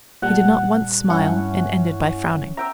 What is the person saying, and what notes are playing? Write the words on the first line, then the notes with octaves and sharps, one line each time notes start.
He did not once smile, and ended by frowning.
A#2 G3 F#5 A5
G2 C#4 E4 F#5
E5 G5 A#5 E6